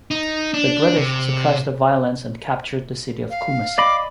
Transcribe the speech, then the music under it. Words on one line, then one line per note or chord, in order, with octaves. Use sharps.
The British suppressed the violence and captured the city of Kumasi.
D#4
D4
C3
F5
D5 D#5 B5 D6